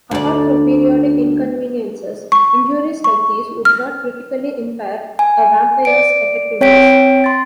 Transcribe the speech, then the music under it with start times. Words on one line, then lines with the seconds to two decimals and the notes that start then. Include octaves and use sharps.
Apart from periodic inconveniences, injuries like these would not critically impair a vampire's effectiveness.
0.11 D2 D5
2.32 C#6
3.04 C#6
3.65 F6
5.19 G#5
5.85 D5 D7
6.61 C4 C#5 G5 B6 D7
7.24 C6 A6